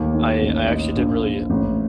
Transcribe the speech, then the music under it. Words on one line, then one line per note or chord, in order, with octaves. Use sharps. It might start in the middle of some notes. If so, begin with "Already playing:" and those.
I I actually did really
Already playing: D#2 A2
D#2
A1
D#4
A#1
A#1
A1